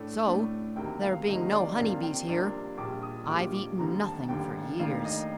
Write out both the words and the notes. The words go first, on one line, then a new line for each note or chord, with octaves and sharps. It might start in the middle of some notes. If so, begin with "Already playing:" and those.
So, there being no honey-bees here, I've eaten nothing for years.
Already playing: A2 A3 D4
A2 A3 D4
D2 C3 D#3 A#3 G5
F5
D2 C3 D#3 A#3 D#5
D5
F2 C3 G3 A#3 D4 F5
G5
F2 C3 G3 A#3 D4
A#1 A#2 G3 D6
D#6
A#1 A#2 G3 D6
D6
F1 D#2 D3 G3 A#5
A5
F1 D#2 D3 G3 G5
F1 D#2 D#3 A3 D4 F5
D#5